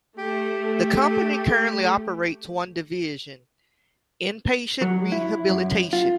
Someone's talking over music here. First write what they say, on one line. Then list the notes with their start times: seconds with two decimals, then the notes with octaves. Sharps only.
The company currently operates one division: inpatient rehabilitation.
0.18 A3 G4
4.82 F#3
5.12 E4
5.49 F#2
5.93 F4